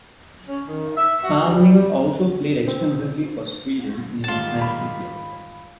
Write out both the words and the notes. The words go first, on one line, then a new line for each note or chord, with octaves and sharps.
Salming also played extensively for Sweden in international play.
C#4
D#3
E5
F#4
G3
G3
C4
G#2 D#3 G3 F4 A5
B5